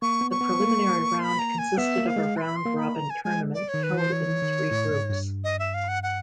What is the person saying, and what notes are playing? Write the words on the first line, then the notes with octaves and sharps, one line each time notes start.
The preliminary round consisted of a round-robin tournament held in three groups.
A#3 C#6
B3
C#6
B3
A#3
C6
B5
A#5
G#5
B3 E5
A#3
F5
G#3
C6
B5
C6
A#3
C6
B5
A#5
G#5
G#3 G#5
D5
C#5
D#3
B4
E3 C5
E3 C#5
D#3
A2
G#2
G2
D#5
E5
F5
F#5
F#5